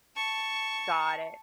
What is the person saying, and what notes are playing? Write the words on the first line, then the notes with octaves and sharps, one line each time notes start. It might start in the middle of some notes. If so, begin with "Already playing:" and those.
Got it.
A5 C#6